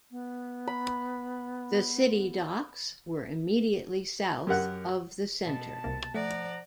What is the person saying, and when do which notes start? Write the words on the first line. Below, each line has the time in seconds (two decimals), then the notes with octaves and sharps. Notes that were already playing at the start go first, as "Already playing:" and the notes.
The City Docks were immediately south of the Centre.
0.11 B3
0.67 B5
4.47 F#2 G4 A#4 F#5 F#6
5.44 B2 A5
5.84 C2 C3 A#3
6.14 F3 A3 D5 F#5 A#5